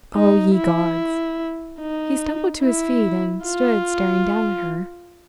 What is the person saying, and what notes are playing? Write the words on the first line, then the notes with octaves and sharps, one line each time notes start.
"Oh, ye gods!" He stumbled to his feet and stood staring down at her.
D#4
E4
D#4
E4
F4